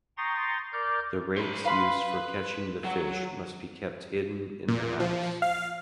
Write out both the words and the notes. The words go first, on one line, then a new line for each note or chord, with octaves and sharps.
The rakes used for catching the fish must be kept hidden in the house.
G5 A#5 C6 C#6 D#6 A6
A#4 D5 D6 F6 G6
C5 B5
B4 F5 B5 C6
F#3 F#4
A#2
F3
F5